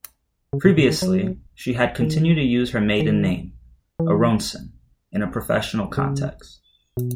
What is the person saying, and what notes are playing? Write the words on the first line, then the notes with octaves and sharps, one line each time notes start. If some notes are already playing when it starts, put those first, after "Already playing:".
Previously, she had continued to use her maiden name, Aronson, in a professional context.
C#3
B2
B2
D#3
F#3
D#3
D#3
E3
C#3
B2